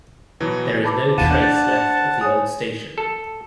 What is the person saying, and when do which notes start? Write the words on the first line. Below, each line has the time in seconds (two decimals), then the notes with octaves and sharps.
There is no trace left of the old station.
0.40 B2 E3 F#3
0.84 E3 A5 B5 D6
1.18 D#2 B2 F5 F#5 A5 D#7 E7
1.31 D4 D5 F#6 G6 A6
1.68 C5
2.21 C#5 G#5 D#6
2.98 A4